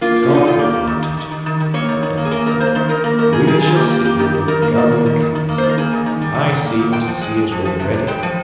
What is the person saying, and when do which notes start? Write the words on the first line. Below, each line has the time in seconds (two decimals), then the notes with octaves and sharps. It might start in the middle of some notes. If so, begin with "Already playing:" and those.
"God grant it," said Don Quixote; "we shall see when the government comes; and I seem to see it already."
0.01 A#3 F4
0.16 A#3
0.23 C#4
0.30 D#3
0.35 D#4
0.45 D#3 F4
0.59 A#3 G4
0.73 A#3
0.87 D#3
1.03 D#3
1.17 D#3
1.31 D#3
1.46 D#3
1.60 D#3
1.74 A#3 C#5
1.89 D#3
2.03 D#3
2.17 A#3
2.25 G#4
2.31 A#3 A#4
2.46 D#3 A#4
2.60 A#3 C5
2.75 D#3 C5
2.89 D#3 A#4
3.04 A#3 A#4
3.19 D#3 A#4
3.32 D#3 G#4
3.43 A#4
3.47 D#3 G#4
3.61 D#3
3.67 F4
3.76 A#3 G4
3.90 A#3
4.04 A#3 G4
4.19 D#3 G4
4.34 D#3
4.48 D#3 A#4
4.62 A#3 A#4
4.78 D#3
4.92 A#3
5.06 D#3
5.20 D#3
5.35 D#3
5.49 A#3
5.58 C5
5.63 D#3
5.69 A#4
5.78 A#3 G#4
5.93 D#3
6.06 D#3
6.21 G3
6.35 D#3
6.49 D#3
6.65 A#3
6.79 D#3
6.93 G#3 G5
7.08 F3
7.21 G#3
7.37 G#3
7.51 F3
7.65 F3
7.80 C3
7.93 C3
8.07 G#3 G5
8.23 F3